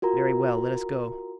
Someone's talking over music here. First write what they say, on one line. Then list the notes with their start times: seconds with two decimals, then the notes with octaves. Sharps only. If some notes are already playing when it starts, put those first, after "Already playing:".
"Very well; let us go."
0.02 F4 F#4 A#4 A#5